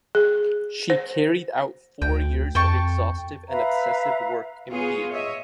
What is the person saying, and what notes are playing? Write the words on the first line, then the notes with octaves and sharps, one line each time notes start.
She carried out four years of exhaustive and obsessive work in theatre.
G#4
C5
D2 G5
F2 G5 A5 C#6
B4 E5 F5 A#5
B3 F4 G#4 B4 C#5
C#5 D#5 E5